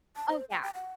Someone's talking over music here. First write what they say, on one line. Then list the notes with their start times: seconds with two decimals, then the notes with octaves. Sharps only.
oh, yeah,
0.16 A5
0.29 C5
0.51 G5
0.62 G5
0.75 F#5